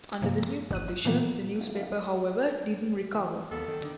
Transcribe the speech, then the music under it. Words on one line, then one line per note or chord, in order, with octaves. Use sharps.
Under the new publisher, the newspaper however didn't recover.
G2 C3 F3 A#3
G1 F#6 D#7
A#2 E3 F3 G3 A#3 B3
E3
D#2 A#3 B3 A4
D#3
D3 D#3